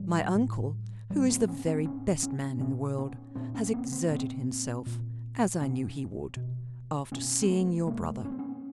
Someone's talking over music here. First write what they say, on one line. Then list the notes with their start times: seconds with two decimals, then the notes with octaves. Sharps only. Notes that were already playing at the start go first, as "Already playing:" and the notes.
My uncle, who is the very best man in the world, has exerted himself, as I knew he would, after seeing your brother.
Already playing: A2 F3 G3
0.35 A2
1.10 A2 F3 G3
1.29 A#3 C4
1.48 B3 C#4
1.67 C4 D4
1.85 A2 B3 C#4
2.23 B3 C#4
2.60 A#2 B3 C#4
2.98 B3 C#4
3.35 A#2 C4 D4
3.54 B3 C#4
3.74 A#3 C4
3.92 A#3 C4
4.06 C#4
4.11 A#2 A#3 C4
4.86 A#2
5.61 B2 B3 C#4
6.37 B2
7.12 B2 B3 C#4
7.42 C4
7.49 A3 B3
7.87 B2 G#3 A#3
8.25 C#4
8.32 C4
8.39 B3 C#4